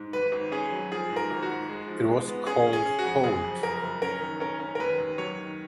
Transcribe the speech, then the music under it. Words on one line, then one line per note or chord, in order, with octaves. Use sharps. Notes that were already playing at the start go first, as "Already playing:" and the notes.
It was called Holt.
Already playing: G#2
G#1 B4
G#1
C#4 G#4
F#3
F3 G#4
G#2
A#4
G#1
F#4
G#2
G#3
F3
G#3
B3
C#4 G#4
C#4
G#4
C#4
F#4
F2
F#1 G#4
F2
F2 A#4
F#1
C#4 A#4
D#3
C#4 A#4
C#4
A#4
D#2 B4
D#2
F#3 C#5
D#3